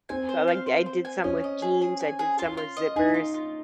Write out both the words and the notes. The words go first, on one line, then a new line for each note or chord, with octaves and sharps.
So, I like I did some with jeans, I did some with zippers.
C4 G#5
C5
F5
C5
C5
G#5
C#4 D#5
D#5
G#4
G#4
G#5
G#4
F4
F4
D#5
D#4 G#4
F4
F4